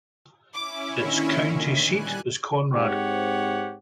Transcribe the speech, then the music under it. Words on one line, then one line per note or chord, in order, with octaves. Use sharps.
Its county seat is Conrad.
C#4 E4 D6
A#2 D3 D#3
G3 G#5 F#6
G#2 C4 G4 C#5 F#5